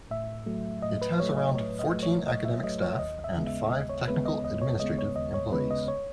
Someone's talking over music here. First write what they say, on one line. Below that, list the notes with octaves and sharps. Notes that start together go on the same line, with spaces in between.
It has around fourteen academic staff and five technical-administrative employees.
A2 E5
F#3 A3
A2 D#5
B4
F#3 A3 C#5
D#5
A2 C#5
D#5
F#3 A3
C#5
A2 D#5
E5
F#3 A3 D#5
C#5
D#2 D#5
E5
C#3 G#3 B3
E5
D#2 D#5
C#5
C#3 G#3 B3 B4
D#5
D#2 D#5
C#5
C#3 G#3 B3 D#5
C#5
D#2 D#5
C#5
C#3 G#3 B3 B4
D#5
C#5